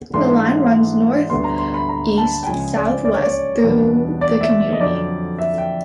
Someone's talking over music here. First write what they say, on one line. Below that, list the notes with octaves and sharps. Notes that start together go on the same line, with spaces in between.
The line runs northeast-southwest through the community.
G#2 E3 A3 D4 C6
D2 D3 G3 B3 C6
A#5
C6
B5
A#5
A5
G5
C#2 C#3 F3 G#3 G#5
D5
D5
C#5
D5
E2 B2 G3 B3 D4
D5
E5
D#5
F2 D3 F#3 D5
E5
G5